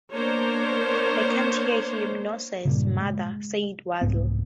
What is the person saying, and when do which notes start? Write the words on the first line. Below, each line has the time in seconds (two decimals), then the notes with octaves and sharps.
'I can’t hear him!’ ‘Nonsense, mother,’ said Wardle.
0.13 A#3 B3 D4 A#4 C5 C#5
2.65 G2 A#2 C#3
3.00 G#3
4.01 C2 G#2 B3